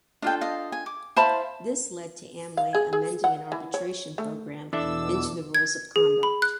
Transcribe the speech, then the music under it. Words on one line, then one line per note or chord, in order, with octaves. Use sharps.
This led to Amway amending an arbitration program into the rules of conduct.
D4 F4 A4 D#5 G5
D#5 F5
G#5
D6
E4 C5 F5 A5 B5 C6
F5
G#4
G#4
F#5
E3
C#5
A3
E2 B2 E3 D4 A4 E5 D6 E6
G#6
G#4
B5
F#6